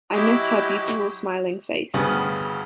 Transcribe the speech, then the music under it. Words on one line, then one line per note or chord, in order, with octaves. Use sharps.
I miss her beautiful smiling face.
F#3 G#3 E4 G4 D#5
D2 G2 C#3 G3 B3 C#4